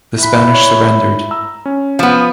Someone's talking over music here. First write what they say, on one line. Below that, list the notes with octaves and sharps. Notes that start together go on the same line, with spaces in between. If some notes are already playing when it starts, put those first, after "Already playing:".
The Spanish surrendered.
E4 B5 F#6
C#5
A#5 E6
C#4
F3 B3